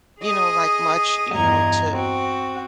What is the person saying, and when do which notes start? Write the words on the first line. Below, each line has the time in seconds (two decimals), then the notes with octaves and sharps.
you know, like much, you know, to
0.20 G#4 D#5 D#6
1.32 E2 G2 D#5 A#5 G#6
1.91 C4 F#4